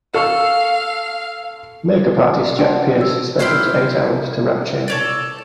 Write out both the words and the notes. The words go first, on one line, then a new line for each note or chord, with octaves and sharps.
Make-up artist Jack Pierce spent up to eight hours to wrap Chaney.
A4 F5 C#6 E6
D5
F#3 D4 C5 F#5 G5 A5
E6
E4 G4 C6 F6
A4 C#5 D5